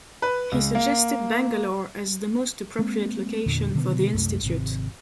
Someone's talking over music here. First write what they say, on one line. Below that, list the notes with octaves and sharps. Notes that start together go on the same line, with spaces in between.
He suggested Bangalore as the most appropriate location for the institute.
B4
C#2
A#3
G#3 A#3 C4
E2 A#2 D3
B2 D3 D#3 B3
C2 F#2 A3
G#1 C3